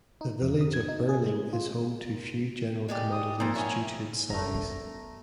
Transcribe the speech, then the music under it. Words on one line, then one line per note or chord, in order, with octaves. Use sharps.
The village of Birling is home to few general commodities due to its size.
D#4
F2
D#6
G#6
D#4
G#4
G#3
F4
G#3 D#4 G4 D5
D#6
F2 A#2 C5
E4 C#5 F5 G#5
F1 A3 A#5
B3